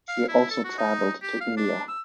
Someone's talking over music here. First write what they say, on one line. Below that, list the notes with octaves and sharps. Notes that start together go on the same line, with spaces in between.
She also traveled to India.
F5
E4
A4
F#4
D#4
G4
F5
D4
E6